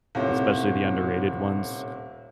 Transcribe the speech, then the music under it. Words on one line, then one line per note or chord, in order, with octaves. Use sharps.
especially the underrated ones.
D#1 A2 C3 C#5